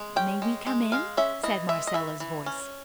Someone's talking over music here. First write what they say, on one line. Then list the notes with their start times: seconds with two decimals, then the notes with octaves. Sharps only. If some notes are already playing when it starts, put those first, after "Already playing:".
"May we come in?" said Marcella's voice.
Already playing: G#3
0.16 C#4 G5
0.42 G#3
0.67 G#3
0.92 G#3 F5
1.17 C#4 E5
1.43 E3 D#5
1.69 G#3 E5
1.87 D#5
1.94 E3 E5
2.20 E3
2.46 C#4